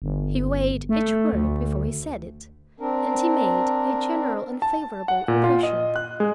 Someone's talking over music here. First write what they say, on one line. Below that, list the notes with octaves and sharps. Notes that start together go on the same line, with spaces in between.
He weighed each word before he said it, and he made a general unfavorable impression.
G1
A3
D2
C4 D4 A#4
A5
F#5
A#2
F4
D#5
F#6
G#3